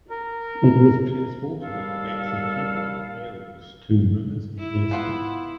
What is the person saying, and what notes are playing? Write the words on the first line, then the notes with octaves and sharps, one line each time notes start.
It was transported on the backs of people or mules to rivers and airstrips.
A#4
D#2 G3 A4 F5
E4
B3 F4 F#5